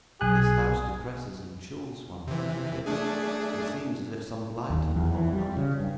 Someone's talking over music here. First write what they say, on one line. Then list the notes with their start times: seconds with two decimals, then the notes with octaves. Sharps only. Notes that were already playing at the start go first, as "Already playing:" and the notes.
'This house depresses and chills one,' said Kate, 'and seems as if some blight had fallen on it.
0.21 B1 G#4 G#5 F#6
2.27 C3 E3
2.86 A3 D4 G#4
4.70 D#2
4.96 E2
5.11 E3
5.33 G3
5.57 C#3
5.80 G2